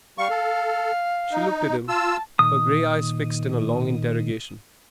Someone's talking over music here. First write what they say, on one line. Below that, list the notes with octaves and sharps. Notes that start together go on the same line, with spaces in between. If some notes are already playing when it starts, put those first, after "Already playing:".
She looked at him, her grey eyes fixed in a long interrogation.
G3 F5 C#6
A4
D#4
F4 A5 E6
A#2 D#3 D#6